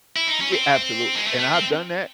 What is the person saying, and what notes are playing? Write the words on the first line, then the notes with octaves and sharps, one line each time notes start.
Y a absolutely. And I've done that,
E4
D#4
C#4
C4
G#3
A3
A3
C4